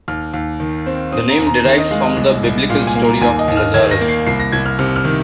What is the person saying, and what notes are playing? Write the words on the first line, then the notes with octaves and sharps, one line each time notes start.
The name derives from the Biblical story of Lazarus.
D#2 F6
D#2
D#3
C4
C4 D#6
A#5
D#2
A#5
D#3
D#5
G#3 F5
D#5
C2
C2
A#2 F5
G#5
A#3
A#5
D#2 G#5
D#5
D#2
F6
D#3 G#6
A#6
A#3
C7
C2 C7
A#6
C2 G#6
F6
C3 F6
F6
D#3